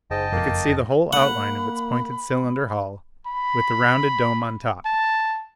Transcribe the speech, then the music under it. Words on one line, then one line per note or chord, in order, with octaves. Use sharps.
We could see the whole outline of its pointed cylinder hull, with the rounded dome on top.
F#1 G#2 D#5 G5 A5
F2 A#3
A#3 F#5 B5
B5
A5